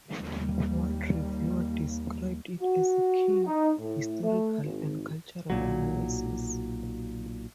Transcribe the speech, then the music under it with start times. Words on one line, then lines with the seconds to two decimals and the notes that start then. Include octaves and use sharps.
One reviewer described it as a keen historical and cultural analysis.
0.16 D#2 G3 A#3
2.60 F#4
3.46 D#4
3.78 A2
4.22 A3
4.61 G#1
5.50 B1 A#2 F#3